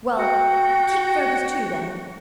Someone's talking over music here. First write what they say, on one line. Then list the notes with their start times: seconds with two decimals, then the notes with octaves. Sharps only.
"Well, keep Fergus too, then."
0.17 F#4 G5